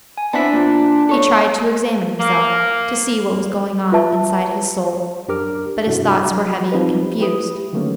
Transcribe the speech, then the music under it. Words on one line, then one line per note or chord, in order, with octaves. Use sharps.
He tried to examine himself, to see what was going on inside his soul. But his thoughts were heavy and confused.
G#5
B3 C4 D4 E4 A5 B6
A#2
A4 C#5
A#3
F4 B4 E5 A5
F#2 D4 G4 A#4 D6 F6
G2 C3 D4 E4 F#4
F#3
F3 C4 D#4 G4 B4
E4 G4 B4 D#6
D3 D#3 F#3 A3 A#3 C#4